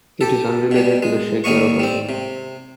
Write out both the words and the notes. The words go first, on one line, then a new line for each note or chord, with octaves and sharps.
It is unrelated to the Czech Aero company.
G4 A4
B2 G3
G#3
D#2 G3 A#3 D#5 C#6
G3 C4
C3